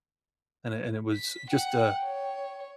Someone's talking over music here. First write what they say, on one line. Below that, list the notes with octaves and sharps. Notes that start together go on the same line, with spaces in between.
And it and it was just a
B6
F#5 G5
C#5